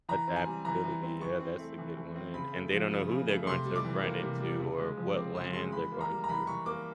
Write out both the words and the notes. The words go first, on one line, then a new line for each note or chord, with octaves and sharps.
Adaptability, yeah, that's a good one. And and they don't know who they're going to run into or what land they're going to,
E3 A#5
C4
G#5
G3
E3 A#5
E3
C4
E3 C#6
C4
A3
E3
E3
C4
C#3 B5
A3
F3
C#3
C#3
A3
C3 C6
G3
D6
E3
A#3
C3
G3
C#3
G#3
F3
C4 D6
C#3 C6
G#3 C6
E3 B5
A#3
A#5
G3
A#5
E3 B5
E3 C#6
A#3 D6